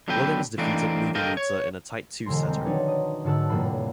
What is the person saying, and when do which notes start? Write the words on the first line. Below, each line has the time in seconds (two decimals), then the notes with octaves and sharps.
Williams defeated Muguruza in a tight two-setter.
0.08 D3 F#3 B3 A4 B4 G5
0.58 E3 A3 A#3 C4 D4 D#4
1.15 A4 A#4 D#5 F5 G5
1.37 C#5
2.25 E1 D3 G#3 A#5 C6 A#6
2.47 G3 C4
2.66 D#3 F#3 D4 D#4 B4 C#5
2.88 D#6
3.24 G#2 D3 F#4 A5 E6 F#6
3.50 F1 A2 F#3 G3 A#3 B5